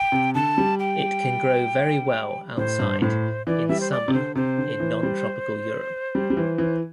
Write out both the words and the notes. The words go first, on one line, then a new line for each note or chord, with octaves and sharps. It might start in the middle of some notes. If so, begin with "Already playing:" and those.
It can grow very well outside in summer in nontropical Europe.
Already playing: G5
C3
D3 A5
G3
G5
A2 C5
G2
A2 C5
E3 D5
G3 E5
C5
D5
C3
D3 C5
C3 C5
D3
E3
G3
G3
G3
E3
E3